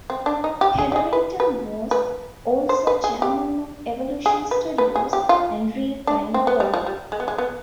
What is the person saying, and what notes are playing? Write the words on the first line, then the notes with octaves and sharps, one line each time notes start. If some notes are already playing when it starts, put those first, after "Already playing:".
Hetherington was also Chairman of "Evolution Studios" and "Realtime Worlds".
C4
D4
D#4
G4
G#4
G4
G#4
B4
B4
B4
C5
B4
G#4
G4
G#4
B4
B4
G#4
G4
F4
D4
C4
B3
G3
F3
G3
G#3
B3
G#3
B3